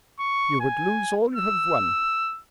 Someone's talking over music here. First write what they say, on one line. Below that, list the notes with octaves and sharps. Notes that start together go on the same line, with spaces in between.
You would lose all you have won.
C#6
G#5
E6